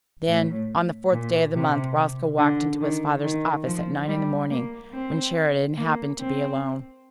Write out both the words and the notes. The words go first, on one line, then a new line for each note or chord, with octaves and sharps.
Then, on the fourth day of the month, Roscoe walked into his father's office at nine in the morning, when Sheridan happened to be alone.
A2
A#2
C3
D3
D#3
D#3
F3
G3
A#3
C4
A#3
C4